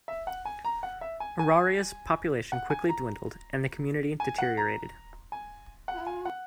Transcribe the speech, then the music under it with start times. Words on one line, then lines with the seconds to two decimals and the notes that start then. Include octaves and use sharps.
Auraria's population quickly dwindled, and the community deteriorated.
0.08 E5
0.27 F#5
0.45 G#5
0.65 A#5
0.83 F#5
1.01 E5
1.20 G#5
1.39 G#5
2.52 F#5
2.70 G#5
2.89 A#5
4.20 G#5
4.38 F#5
4.57 A#5
5.32 G#5
5.88 F#5
6.07 G#5
6.25 F#5